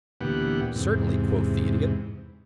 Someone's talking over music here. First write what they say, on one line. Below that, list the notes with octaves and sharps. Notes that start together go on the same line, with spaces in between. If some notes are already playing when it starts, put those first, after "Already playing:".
"Certainly," quoth the Idiot.
D2 A#2 E3 B3 G4 F#5
E2 G#2 C3